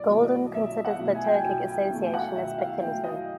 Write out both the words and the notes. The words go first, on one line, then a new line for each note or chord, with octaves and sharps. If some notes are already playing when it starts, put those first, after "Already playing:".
Golden considers the Turkic association as speculative.
Already playing: B1 D5
B2 F#3 A3
D#5
B1 E5
F#5
B2 F#3 A3
G#5
G5
G#5
B1 G5
G5
B2 F#3 A3
F#5
B1 E5
F5
B2 F#3 A3 G5
D#5